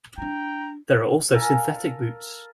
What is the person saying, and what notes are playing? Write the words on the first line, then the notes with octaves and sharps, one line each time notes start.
There are also synthetic boots.
D4 E4 G5 A#5
A4 A#4 F5 G#5